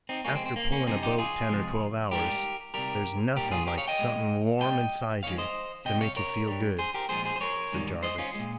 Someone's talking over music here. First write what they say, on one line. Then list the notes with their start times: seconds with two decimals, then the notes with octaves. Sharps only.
"After pullin' a boat ten or twelve hours there's nothin' like somethin' warm inside you to make you feel good," said Jarvis.
0.09 C4 D#4
0.25 C3 F3 G#3 A#3 C#4
0.35 C4
0.46 C4
0.56 A#3
0.72 A#3 C#4
0.87 F2 C3 F3 G#3 C4 D#4
1.03 D#4 G4
1.18 F4 G#4
1.49 C3 F3 G#3
2.11 G#2 G3 G4 A#4
2.74 C3 G3 G4 A#4
3.36 A#2 G3 G4 A#4
3.51 F4 G#4
3.67 G4 A#4
3.78 C#5 F5
3.88 D#5 G5
3.99 A#2 G#3
4.60 A#2 G3 D#5 G5
5.23 F2 D#3 G#3 C#5 F5
5.38 C5 D#5
5.85 C3 G3 D#5 G5
6.01 C#5 F5
6.16 A#4 C#5
6.48 G2 G3
6.79 G#4 C5
6.94 G4 A#4
7.09 A#2 F3 G#3 G#4 C5
7.25 G#4 C5
7.36 C5
7.41 A#4 C#5
7.72 G#2 D#3 G3
8.03 C5 D#5
8.18 C#4 F4
8.35 A#2 G#3